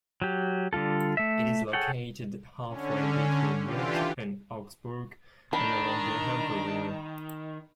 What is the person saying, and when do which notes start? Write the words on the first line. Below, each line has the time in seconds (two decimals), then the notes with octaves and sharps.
It is located halfway between Munich and Augsburg, and along the Amper river.
0.22 F#3 G4
0.73 D3 G3 F4 A4
1.17 A3 E5
1.73 G#4 A4 C#5 F#5 G5
2.68 D3 C#4
3.63 D3 E3 F4 G4
5.53 D#3 D4 A#5 B5